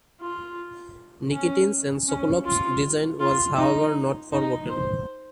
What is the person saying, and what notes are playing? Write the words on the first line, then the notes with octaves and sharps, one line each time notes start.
Nikitin's and Sokolov's design was however not forgotten.
F4
C#4
C#4
F4
F4
D#4
D#4
C5